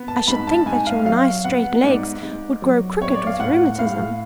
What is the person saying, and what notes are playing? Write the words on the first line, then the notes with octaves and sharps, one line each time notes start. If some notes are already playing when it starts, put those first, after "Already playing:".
I should think that your nice straight legs would grow crooked with rheumatism.
Already playing: B3
A5
G#2 B5
A5
G#2 G#5
F5
F#3 F5
B3 F#5
G#2 D5
G#2
F#3
B3 C#5
D5
F5
A2 F#5
A2 F5